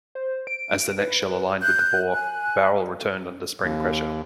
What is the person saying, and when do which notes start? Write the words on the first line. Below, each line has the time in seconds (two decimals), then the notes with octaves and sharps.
As the next shell aligned with the bore, the barrel returned under spring pressure.
0.15 C5
0.47 D7
0.98 B4
1.62 F#6 G6
2.14 G#5
3.63 D#2